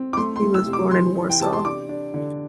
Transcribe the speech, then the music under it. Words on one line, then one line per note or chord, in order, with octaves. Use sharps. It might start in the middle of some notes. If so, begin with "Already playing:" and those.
He was born in Warsaw.
Already playing: C4
D6
A3 C6
C6
A3
E6
C3
D6
E3 C6
E3
G5
C3 A5
C6
D4 D6
D4
D3